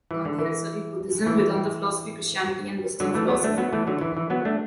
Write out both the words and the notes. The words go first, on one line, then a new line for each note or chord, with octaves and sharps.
Gandhi had studied Buddhism, Vedanta Philosophy, Christianity, and western philosophy.
E3
D3
E3
E3
D3 F#3
E3 A3
F#3 B3
A3 D4
F#3 B3
E3 A3
D3 F#3
E3
E3
F#3 B3
A3 D4